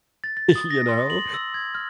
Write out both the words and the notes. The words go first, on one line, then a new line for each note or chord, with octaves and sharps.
you know?
A6
A6
D#6
A#6
C6
F#7
E6
G#6
F6